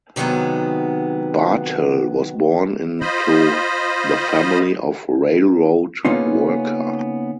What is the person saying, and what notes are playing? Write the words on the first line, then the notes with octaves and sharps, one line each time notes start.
Barthel was born in to the family of railroad worker.
C3 D#3 F#3 G#3 B3
F4 C5 D#5 B5
C#3 A#3 B3 C#4 D#4 F4